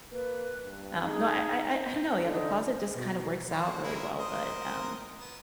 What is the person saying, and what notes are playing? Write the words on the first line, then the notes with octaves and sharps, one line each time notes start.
um No, I I I don't know, yeah, the closet just kinda works out really well, but, um,
A#3 B4
G2
D#4 G#4
C5
D3 D#4
B2
A#3 F#4 C5
G#3 E4 A#4
A#4 C5 D#5
B3